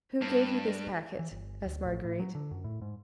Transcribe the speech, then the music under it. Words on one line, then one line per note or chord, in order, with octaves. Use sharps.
"Who gave you this packet?" asked Marguerite.
G2
E3
G1
D2
A1
A2
F#3
D3
F#2
A2
G#2